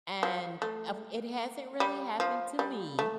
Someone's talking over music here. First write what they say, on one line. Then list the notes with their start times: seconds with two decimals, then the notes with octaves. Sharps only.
And av it hasn't really happened to me,
0.23 F3
0.62 A3
1.80 G3
2.20 F3
2.59 G3
2.99 A3